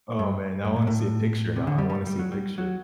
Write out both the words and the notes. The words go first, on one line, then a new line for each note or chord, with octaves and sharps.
Oh, man. I wanna see a picture now. I wanna see a picture.
G2
G2
A2
A2
C3
D3
G3
G3
G3
F#3
G3
F#3